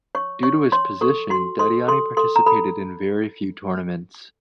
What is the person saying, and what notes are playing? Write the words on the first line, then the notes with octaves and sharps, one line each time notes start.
Due to his position, Dadiani participated in very few tournaments.
C#5 C#6
C#5 C#6
C#5 C6
A4 C#6
F#4 C6
A4 C6
A4 C6
A4 C6
A#5
A4 B5